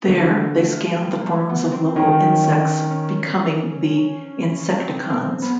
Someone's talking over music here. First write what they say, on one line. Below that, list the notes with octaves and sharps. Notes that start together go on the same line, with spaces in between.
There, they scanned the forms of local insects, becoming the Insecticons.
D3 A#3
A3
G3
A#3
A3
B3
C4
D#3 C#4
C#4
C#4
C4
C4
B3